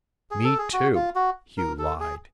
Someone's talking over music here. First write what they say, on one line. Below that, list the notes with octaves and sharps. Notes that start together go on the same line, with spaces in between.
"Me, too," Hugh lied.
G#4
A4
G#4
F#4
F4
F#4
A#4
A4
G#4